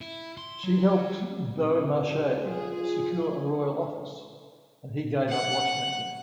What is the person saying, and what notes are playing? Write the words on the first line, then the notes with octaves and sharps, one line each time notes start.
She helped Beaumarchais secure a royal office, and he gave up watchmaking.
E4
C6
F#3
C3
F4 G#4
F#5